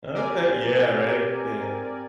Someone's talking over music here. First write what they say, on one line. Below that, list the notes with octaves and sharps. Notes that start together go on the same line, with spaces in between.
Okay, yeah, right. Yeah.
C4 G4 A#4 D5 G#5